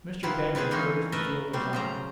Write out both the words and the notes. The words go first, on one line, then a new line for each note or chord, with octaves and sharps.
Mr. Benyon urged the fielders on.
D#3 F3 B3 E4 F4
B3 C4 E4 G#4
E3 G#3 A#3 C4 C#4 D#4
A3 A#4 B4 D#5 E5
F#3 G3 C4
C#3 C5 A#5